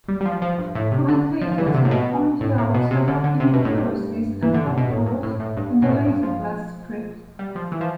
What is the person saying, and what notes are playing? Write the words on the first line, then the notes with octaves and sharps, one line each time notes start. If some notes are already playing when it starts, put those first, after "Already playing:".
Commentators have pointed out several inaccuracies and plot-holes in the "Laserblast" script.
G3
G3
F3
F3
G2
A2
C3
D3
F3
F3
E3
D3
C3
A2
B2
A2
A2
B2
C3
D3
D3
C3
B2
A2
G2
E3
D3
C3
B2
A2
G2
A2
A2
G2
B2
A2
G2
F3
G3
F3
E3
F3